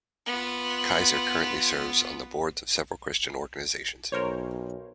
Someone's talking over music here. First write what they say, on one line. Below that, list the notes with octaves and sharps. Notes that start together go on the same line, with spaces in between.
Kaiser currently serves on the boards of several Christian organizations.
B3 F4
B1 A#4 C5 C#5